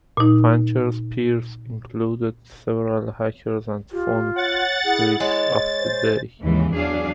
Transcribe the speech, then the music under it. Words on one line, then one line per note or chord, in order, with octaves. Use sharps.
Fancher's peers included several hackers and phone phreaks of the day.
A#2 D#4
F4 G4
C#5 F#5 A6
E4 G#4
G#3 C#5 A6
C5
D#2 G#2 C#3 E3
E2 F#3 D4 G#4 F5